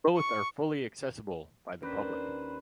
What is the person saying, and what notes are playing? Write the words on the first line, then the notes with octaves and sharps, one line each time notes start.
Both are fully accessible by the public.
C#6
D#2 C#4 D4 B4 C5